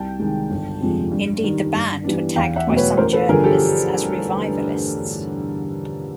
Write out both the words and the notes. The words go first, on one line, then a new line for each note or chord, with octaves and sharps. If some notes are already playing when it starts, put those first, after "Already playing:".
Indeed, the band were tagged by some journalists as "revivalists".
Already playing: C2 G5 A5
C3 D#3 G#3
G1
F2 C3 F3 G#3
G2
D#3 G3
G2
E3 G3 B3 D4
E2 F5 G5
E5 F#5
B2 F#3 A3
B4 C#5
A1 A#4 C5
A4 B4
G2 D3 F3 G#4 A#4
G4 A4